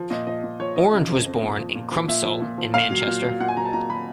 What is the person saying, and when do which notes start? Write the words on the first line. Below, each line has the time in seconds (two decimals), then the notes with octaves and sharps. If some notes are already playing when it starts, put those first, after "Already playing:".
Orange was born in Crumpsall in Manchester.
Already playing: F3
0.10 A#2 D#5
0.27 F3 D#5
0.43 A#2
0.60 F3 C#5
0.76 F3 D#5
0.93 C#3
1.09 F2
1.26 F2
1.43 A#2
1.59 F3
1.75 A#2
1.92 F3
2.08 A#2 E5
2.25 F3
2.42 A#2
2.58 F3
2.74 A#2 F5
2.91 F#3
3.07 A#2
3.24 F#3
3.40 A#2 F#5
3.48 G#5
3.57 F#3 A#5
3.65 A5
3.73 A#2 A#5
3.90 F#3 B5